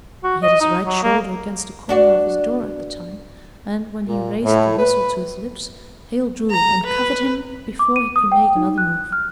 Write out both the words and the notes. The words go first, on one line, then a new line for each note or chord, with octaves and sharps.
He had his right shoulder against the corner of his door at the time, and, when he raised the whistle to his lips, Hale drew and covered him before he could make another move.
F#4
D#5
D#4
F#3
A#3
D4 F#4 D5
A#2
A2
B4
A#5
B4
D6
D#7
D#6
G5
D#4
F#6
F6